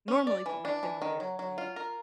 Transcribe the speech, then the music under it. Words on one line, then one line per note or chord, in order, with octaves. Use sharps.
normally put my Kindle there and read
C#4
D5
E3
D4
E3
D#3
F#3
F#3
F4
A#4